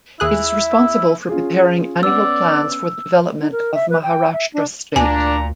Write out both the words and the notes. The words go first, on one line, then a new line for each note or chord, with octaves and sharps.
It is responsible for preparing annual plans for the development of Maharashtra state.
D#2 E4 G#4 E5 F#6
C#4 F4 G#4
B3 C#4 D5 F#5 E6
D#4
A#4
E5
B4
G5
E5
D4
D2 A#2 D4 G#5 A#5